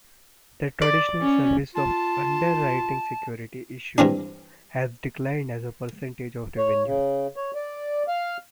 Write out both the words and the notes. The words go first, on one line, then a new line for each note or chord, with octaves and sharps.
The traditional service of underwriting security issues has declined as a percentage of revenue.
D5
C#4
F4 A5
G2 E3 C4 D4
C#5
C#3
C#5
D5
F5